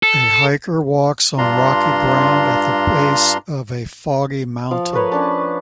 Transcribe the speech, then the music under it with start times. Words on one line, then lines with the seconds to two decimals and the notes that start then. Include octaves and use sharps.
A hiker walks on rocky ground at the base of a foggy mountain.
0.03 A4
1.38 G2 D4 F4 A#5 C6
4.71 F3 F5
4.93 A3 A#4 B4 C#5
5.12 C#4 D4 A5